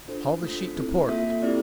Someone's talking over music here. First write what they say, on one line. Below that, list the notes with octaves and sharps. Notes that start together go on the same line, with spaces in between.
"Haul the sheet to port!"
D4 F4 A4 C5
A3 D4 F4
C4 E4 A4
A#3 F4 A4 E5
C4 E4 G4 D5